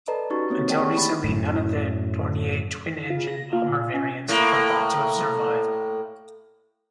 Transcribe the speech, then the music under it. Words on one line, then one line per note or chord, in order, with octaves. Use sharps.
Until recently, none of the Dornier twin-engined bomber variants were thought to have survived.
A4 B4 D5 D#5 A5 A#5
C#4 D#4 F#4 G4 C#6 A6
A#3 C4 C#5
G#4 D5 F#5 G5 A5
G4 C#6
A3 A#3 B5 C#6 A6
F#2 A2
C#3 F4
A#6
A#3 F4
A#2
C#4
A2 A#3